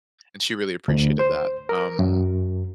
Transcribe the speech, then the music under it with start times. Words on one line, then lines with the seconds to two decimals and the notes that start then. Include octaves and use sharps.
and she really appreciated that, um,
0.88 D2
1.19 C5
1.69 A#4
1.99 F#2